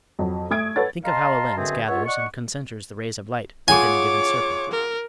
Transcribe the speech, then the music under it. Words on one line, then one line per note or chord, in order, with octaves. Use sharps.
Think of how a lens gathers and concenters the rays of light within a given circle.
F2 F#3
A3 D#6 G#6 D7
A4 B4 C#5 F#5 A6
D#5 F5 A5 A#5 C6
F#2 B2 D3 C4 G#4 E5
C#2 G#2 F4 C#5 E5 F#5
D5 D#5 F#5 C#6
F4 G#4 C#5 F#5 G#5 D6
A#4